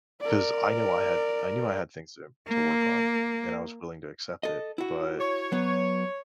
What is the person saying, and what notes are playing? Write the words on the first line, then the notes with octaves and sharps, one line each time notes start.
'Cause I knew I had I knew I had things to im to work on, and I was willing to accept it. But,
A#4 D5
A#3
A4 D#5
E4 F#4
C#5
F#3 B3